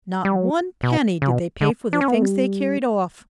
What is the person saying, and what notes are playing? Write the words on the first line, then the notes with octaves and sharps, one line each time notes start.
Not one penny did they pay for the things they carried off.
G3
F#3
B2
C#3
B2
D3
D4
C#4
B3
A3
G3